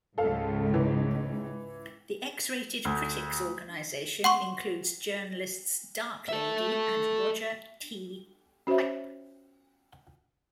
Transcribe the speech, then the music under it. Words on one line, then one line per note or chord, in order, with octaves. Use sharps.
The X-Rated Critics Organization includes journalists: Darklady and Roger T. Pipe.
C#2 G#2 A4 F5
E3
D2
F#5 C6 C#6
A4 E5
C#4 F#4 C5 C#5 E5